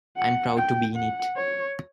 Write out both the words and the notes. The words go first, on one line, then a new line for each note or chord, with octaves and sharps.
I'm proud to be in it.
F#5
G5
F#5
C#5